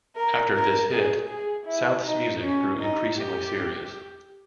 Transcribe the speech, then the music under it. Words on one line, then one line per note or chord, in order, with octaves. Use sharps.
After this hit, South's music grew increasingly serious.
A#4
A#4
G#4
G#4
E4
D#4
C#4
D#4
G4